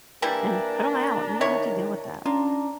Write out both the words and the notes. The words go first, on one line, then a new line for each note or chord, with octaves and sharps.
An put 'em out, you don't have to deal with that.
E3 G3 A#3 D4 E4 A#5
D#3 E4 C#5
C#4 D4 F4 A#5